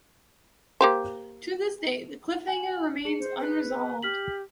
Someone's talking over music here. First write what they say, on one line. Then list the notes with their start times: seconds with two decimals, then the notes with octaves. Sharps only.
To this day, the cliffhanger remains unresolved.
0.81 A#3 G4 C5
2.48 G#5 F#7
3.05 G#4 C#7
3.20 C5
3.39 B4
4.03 G4 F6 B6 F#7